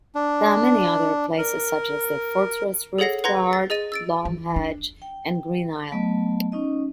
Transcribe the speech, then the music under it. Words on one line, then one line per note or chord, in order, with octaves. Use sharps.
There are many other places, such as the fortress Riftgard, Loamhedge, and Green Isle.
D4
A#4
G#4 A4 C#5 F#5 A#6 C7
B4 F#5 A#5 C6 G#6 A#6
A6
G#4 D#5 A6 D#7
E6 A6 D7
E3
D4
G5
F#3 A3 B3 D#5
C#4 D#4 D#5